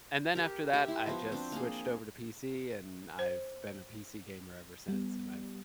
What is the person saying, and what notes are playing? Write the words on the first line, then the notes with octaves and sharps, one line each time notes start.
and then after that I just switched over to PC and I've been a PC gamer ever since, and I've
G4 A#4
G4 E5
E4 C6
F3 B3 F#4
C4 D4
A#3 G#4
C5
G3 B3